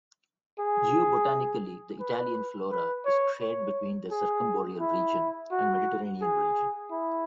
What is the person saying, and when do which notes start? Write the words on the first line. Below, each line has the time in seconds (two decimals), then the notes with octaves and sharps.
Geobotanically, the Italian flora is shared between the Circumboreal Region and Mediterranean Region.
0.60 G#4
2.00 B4
2.71 B4
3.05 C#5
3.41 C#5
4.11 G#4
4.81 E4
5.51 F#4
6.22 G#4
6.92 E4